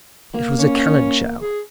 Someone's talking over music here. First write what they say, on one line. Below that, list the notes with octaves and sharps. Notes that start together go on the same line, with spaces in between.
It was a cannon shell.
A#3
C#4
G#4